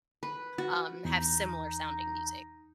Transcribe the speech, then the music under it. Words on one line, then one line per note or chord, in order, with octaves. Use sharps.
um, have similar sounding music.
B4
F#4
E2 D#4